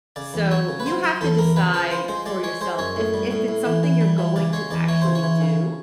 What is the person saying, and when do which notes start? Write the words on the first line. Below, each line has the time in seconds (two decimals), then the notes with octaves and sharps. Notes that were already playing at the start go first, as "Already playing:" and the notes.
So, you have to decide for yourself, if if it's something you're going to actually do,
0.16 C#3 D5
0.34 E2
0.51 F#3 C#5
0.69 C#3
0.80 B4
0.86 F#3 C5
1.04 F#3 G4
1.21 E2 A4
1.38 E2 A#4
1.56 C#3 B4
1.74 F3 B4
1.91 F3 C5
2.08 G#3 C5
2.26 G#3 D5
2.43 G#3 C#5
2.61 G#3 C5
2.78 F#2 C#5
2.96 A2
3.14 G3
3.31 A2
3.48 A2
3.66 E3
3.83 E3
4.01 G3
4.18 E3
4.36 C#3 D5
4.53 G#3 C#5
4.71 E2 D5
4.88 E3 C#5
5.01 C#3 C5
5.15 C#5
5.23 E3
5.41 C#3